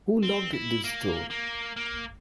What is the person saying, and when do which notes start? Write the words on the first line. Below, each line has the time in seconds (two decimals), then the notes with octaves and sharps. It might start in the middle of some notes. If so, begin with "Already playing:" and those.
Who locked this door?
0.23 C4
0.53 E4
0.84 A#3
1.30 A#3
1.76 A#3